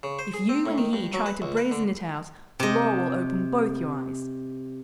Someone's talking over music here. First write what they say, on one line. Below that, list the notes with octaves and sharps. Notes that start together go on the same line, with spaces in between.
If you and he try to brazen it out, the law will open both your eyes.
C#3
C5
G#4
C4
A2
D#3
G2
F#3
B4
C#2
B4
D3
C3 D#5